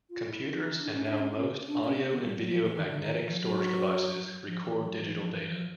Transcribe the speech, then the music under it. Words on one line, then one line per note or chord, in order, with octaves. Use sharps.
Computers and now most audio and video magnetic storage devices record digital data.
F4
E4
D#4
D4
C#4
D4
C#4
C#4
D4
C#4
C4
B3
G3
F#3
F3
E3
D#3
D3
D#3
E3
F3
F#3
F3
E3
F#3
E3
F3
E3
F3